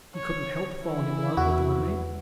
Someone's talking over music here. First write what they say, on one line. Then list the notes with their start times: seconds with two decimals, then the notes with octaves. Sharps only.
"He couldn't help falling in love with the mermaid."
0.15 C#5
0.85 E3 E4
1.37 E2 F#4